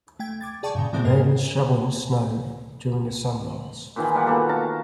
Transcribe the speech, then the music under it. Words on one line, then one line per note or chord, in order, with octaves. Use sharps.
A man is shoveling snow during a sunrise.
A3 G5 G#6
D6 G#6 A6
G#4 D5 G5 A5 C#6 D6
G2 A#2 C#3
A2 E3 F3 G#3 C4 C5
F2 G#2 A#3 A#4
A#2 D#3 E3 G#4
G3 F5 F#5
B2 A#3 A4
F5 A5 A#5